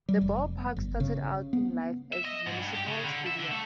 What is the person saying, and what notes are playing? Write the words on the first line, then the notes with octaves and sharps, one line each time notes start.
The ballpark started out in life as Municipal Stadium.
G3
F1
G1
C#3
B3
E5
D#5
G#2
G2
G4
C#3
D3
E5
D3
A3